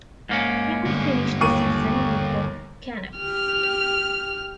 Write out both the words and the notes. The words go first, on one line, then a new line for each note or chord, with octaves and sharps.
He would finish the season with the Canucks.
G#2 A#3 C#4
G2 D3
D#2 C#6 D#7
G4 F6